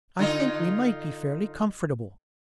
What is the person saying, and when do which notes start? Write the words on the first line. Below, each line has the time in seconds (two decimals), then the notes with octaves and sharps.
I think we might be fairly comfortable.'
0.19 D3 D#4 F4